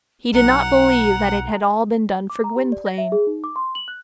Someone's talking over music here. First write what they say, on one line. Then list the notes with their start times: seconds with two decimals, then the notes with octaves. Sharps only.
He did not believe that it had all been done for Gwynplaine.
0.34 B1 F#5 A#5
2.30 D6
2.44 A#5
2.56 G4
2.72 D5
2.86 A#6
2.98 E5
3.12 G#4
3.27 D#4
3.44 D6
3.56 C6
3.75 F#7
3.88 F#6